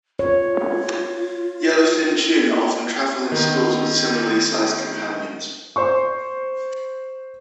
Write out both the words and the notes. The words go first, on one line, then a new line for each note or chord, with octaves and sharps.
Yellowfin tuna often travel in schools with similarly sized companions.
F4 C#5
D#3 B3
C5 C6 C#6